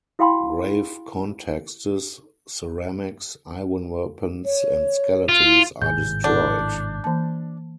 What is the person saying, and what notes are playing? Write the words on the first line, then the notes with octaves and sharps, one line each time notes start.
Grave contexts, ceramics, iron weapons and skeletons are destroyed.
E4 F#4 F5 G5 B5 C6
C#5
F4
E4
G#1 A2 C3 G#4 G#5 G6
D4 E4 A4 F#5 G6
E3 A#3 A5